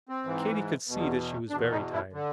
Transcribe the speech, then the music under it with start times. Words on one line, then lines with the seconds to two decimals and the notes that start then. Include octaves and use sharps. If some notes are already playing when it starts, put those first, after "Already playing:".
Katy could see that she was very tired.
0.09 C4
0.24 G#2 E3
0.87 E2 B2
1.50 E2 B2 D4
1.71 D#4
1.93 E4
2.13 D3